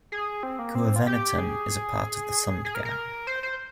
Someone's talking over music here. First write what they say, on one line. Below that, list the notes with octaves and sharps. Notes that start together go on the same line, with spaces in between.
Guevenatten is a part of the Sundgau.
G#4
C4
A#3
C4
F4
G4
G#4
G#4
A#4
A#4
C5
C5